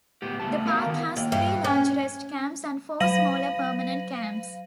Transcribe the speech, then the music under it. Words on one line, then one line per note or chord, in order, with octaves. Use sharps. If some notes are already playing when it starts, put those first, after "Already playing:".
The park has three large rest camps and four smaller permanent camps.
A2 B3 G4
C#2 G3 A3 A5
B3 F#4 A#4 F5 G5 A#5
D#3 B3
D#2
G2
C#4
F#3 F5 A#6 D#7 F#7